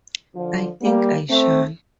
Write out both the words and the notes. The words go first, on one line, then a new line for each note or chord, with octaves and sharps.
I think I shall.
D3 F3
G3 A#3
A3 C4